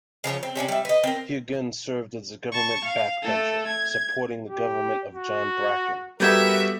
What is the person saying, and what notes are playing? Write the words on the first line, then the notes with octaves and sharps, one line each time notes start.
He again served as a government backbencher, supporting the government of John Bracken.
C#3 F3 A4 C#5
C4
C3 C#4 G#4 D5
G3 E5
B4 D#5
C4 A#4
A5 C#6
F5
A3 A4
G#6
G4
F#4
G3 B3 F#4 A4 A#4 E5 G6 G#6